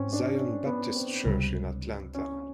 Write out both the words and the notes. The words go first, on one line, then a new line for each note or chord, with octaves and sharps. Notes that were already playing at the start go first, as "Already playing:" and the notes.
Zion Baptist Church in Atlanta.
Already playing: G#2 C4 C#4
D4
C#4
B3
C4
C#2 C3 E3 G3
C#4